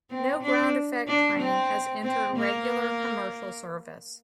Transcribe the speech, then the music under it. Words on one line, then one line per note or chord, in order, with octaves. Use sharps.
No ground effect train has entered regular commercial service.
C4
D4
D4
C4
C4
A#3